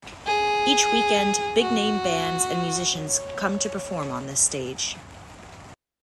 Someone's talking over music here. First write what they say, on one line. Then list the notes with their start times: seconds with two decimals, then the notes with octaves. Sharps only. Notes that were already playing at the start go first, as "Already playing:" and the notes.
Each weekend, big-name bands and musicians come to perform on this stage.
0.27 G#4
1.60 F#4
2.94 C#5